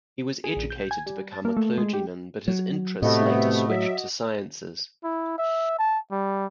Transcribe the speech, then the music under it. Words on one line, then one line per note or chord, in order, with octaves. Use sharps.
He was educated to become a clergyman, but his interests later switched to sciences.
G#4
A#1
G6
G#5
G3
A5
A#3
A3
G#3
G4
F#3
A2 C3 A3 B3 F#4 D#5
F#3 E5 D6
E4
E5
A5
G3